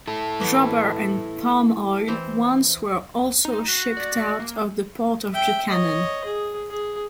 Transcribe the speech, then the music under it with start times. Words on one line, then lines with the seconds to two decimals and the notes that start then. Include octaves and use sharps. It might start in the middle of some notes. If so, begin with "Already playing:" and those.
Rubber and palm oil once were also shipped out of the Port Of Buchanan.
0.07 E4 A4
0.40 E3 B3
2.08 E3 C4
3.45 D#4
3.68 F#4 F#6
3.97 D5
4.40 A#3
5.33 E5 G5
5.70 C#5 D#5
6.25 G#4
6.70 G#4